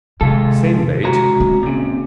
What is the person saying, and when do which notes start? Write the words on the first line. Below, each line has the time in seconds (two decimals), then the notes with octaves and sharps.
Same bait.
0.21 C3 D#3 G#3 F4 A4
1.04 C#2 F#4 A#5
1.40 C4
1.63 A#2 C#3